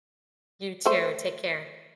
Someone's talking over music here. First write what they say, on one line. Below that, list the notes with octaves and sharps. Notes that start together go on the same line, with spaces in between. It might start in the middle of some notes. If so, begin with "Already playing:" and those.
You too. Take care.
A3 C5